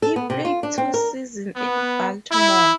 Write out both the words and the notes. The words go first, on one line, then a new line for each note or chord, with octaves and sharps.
He played two seasons in Baltimore.
A4
B3
C3
F4
D4
C4
A#4
B3
E4